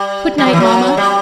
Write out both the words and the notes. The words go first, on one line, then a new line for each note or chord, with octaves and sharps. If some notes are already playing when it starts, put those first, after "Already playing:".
Good night, Mama.
Already playing: G3
G3
F#3
E3
F#3
G3